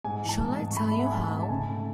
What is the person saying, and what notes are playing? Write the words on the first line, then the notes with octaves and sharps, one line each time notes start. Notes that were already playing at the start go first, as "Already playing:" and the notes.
Shall I tell you how?
G#2 G#5
E3
A5
G#2
A5
G#2
C#6
A3 B5
E5
A3 F#5
G#5
G#2 A5
G#2
A5
C#3 G#5
A3